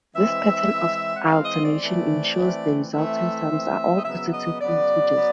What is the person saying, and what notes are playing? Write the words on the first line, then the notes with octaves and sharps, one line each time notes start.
This pattern of alternation ensures the resulting sums are all positive integers.
E3 G#3 C4 E5
E3 G#3 C4
F#5
E3 G#3 C4 F5
D#5
D5
E3 A3 C4
E3 A3 C4
E3 A3 C4 E5
E3 A3 C4
D#5
C#3 F#3 B3 E5
E5
D#5
C#3 F#3 B3 D5
F#3 B3